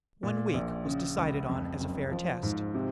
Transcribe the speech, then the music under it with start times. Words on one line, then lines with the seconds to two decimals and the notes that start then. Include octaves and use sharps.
One week was decided on as a fair test.
0.23 A#2
0.54 A#1
0.85 C#3
1.18 C#2
1.49 F2
1.80 F#1
2.12 F3
2.43 G#2
2.74 C3